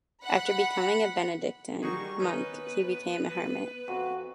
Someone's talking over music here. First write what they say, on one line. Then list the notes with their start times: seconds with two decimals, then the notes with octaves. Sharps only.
After becoming a Benedictine monk, he became a hermit.
0.24 F#5 B5
1.83 D#3 G3 D#4 F#4 G#4 C#6
2.20 B3 C#4 D#4 B4 D#5
3.88 F2 F#4